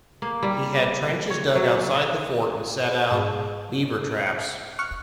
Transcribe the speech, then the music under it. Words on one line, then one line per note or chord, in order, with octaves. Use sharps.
He had trenches dug outside the fort, and set out beaver traps.
A#3
G3
C#5
F#3
G#2 A5
C#6 F6 F#6 C#7